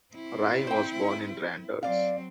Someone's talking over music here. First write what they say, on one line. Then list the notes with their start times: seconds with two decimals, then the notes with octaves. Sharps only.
Rye was born in Randers.
0.14 C4 E4
0.67 C5 G5
1.83 F#3 C4 D5 F5